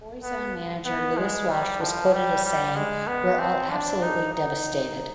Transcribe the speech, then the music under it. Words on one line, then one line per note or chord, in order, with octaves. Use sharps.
Boyzone manager Louis Walsh was quoted as saying: We're all absolutely devastated.
B3
B3
G#3
G3
F3
G3
G3
G#3
B3
C4
D4
D#4
D#4